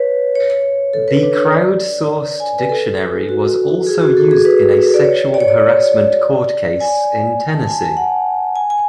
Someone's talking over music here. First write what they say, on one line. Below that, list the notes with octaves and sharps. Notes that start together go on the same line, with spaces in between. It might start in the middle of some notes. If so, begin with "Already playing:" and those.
The crowd-sourced dictionary was also used in a sexual harassment court case in Tennessee.
Already playing: B4 C#5
C#5
A4
B4
D4
C#5
D5
G#5
B4
A4
F#4
G#4
F#4
A4
G#4
B4
D5
C#5
D5
C#5
D5
G#5
A5
A5
G#5
G#5
F#5
G#5
G#5